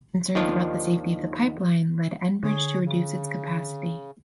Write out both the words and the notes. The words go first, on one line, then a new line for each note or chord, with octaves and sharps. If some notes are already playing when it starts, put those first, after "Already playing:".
Concerns about the safety of the pipeline led Enbridge to reduce its capacity.
D#2 D#3 F3 D4 F4
D3 G#4 C#5
C#3